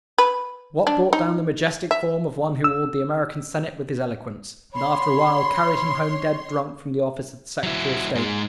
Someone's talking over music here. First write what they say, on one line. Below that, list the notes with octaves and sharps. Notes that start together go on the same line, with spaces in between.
What brought down the majestic form of one who awed the American Senate with his eloquence, and after a while carried him home dead drunk from the office of Secretary of State?
B4
D4
D#4
E5
E6
C#5 B5 C6
F#3 E4
G#2 G#3